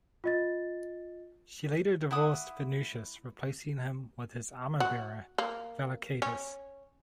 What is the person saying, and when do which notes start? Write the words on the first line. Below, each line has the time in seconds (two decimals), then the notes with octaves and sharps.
She later divorced Venutius, replacing him with his armour-bearer, Vellocatus.
0.24 F4 D#5 A6
2.11 E4 F#5 D6 D#6
4.80 F#4
5.38 A#3
6.22 C#4